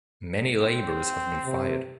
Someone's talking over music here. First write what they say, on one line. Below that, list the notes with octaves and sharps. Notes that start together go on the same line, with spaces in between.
Many laborers have been fired.
C4
C3